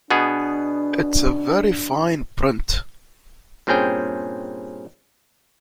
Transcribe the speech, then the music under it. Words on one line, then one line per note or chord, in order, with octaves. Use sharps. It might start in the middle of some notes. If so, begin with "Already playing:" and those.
It's a very fine print.
B2 B3 D4 G#4
G2 A#2 C4 C#4 G#4 G5